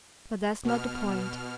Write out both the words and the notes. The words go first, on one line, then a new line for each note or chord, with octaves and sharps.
But that's not the point.
B2 F6